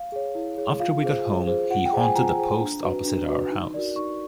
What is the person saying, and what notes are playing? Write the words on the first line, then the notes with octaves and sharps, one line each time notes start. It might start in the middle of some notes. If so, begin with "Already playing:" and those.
After we got home, he haunted a post opposite our house.
Already playing: F5
G#4 C#5
E4
G#4 C#5
F4 F5
G#4 C5
F4
G#4 C5
F4 F#5
G5
G#4 C5
G#5
F4 A#5
G#4 C5
D4
F#4 B4
D4
F#4 B4
D#4
F#4 A#4 D5
D#4 C#6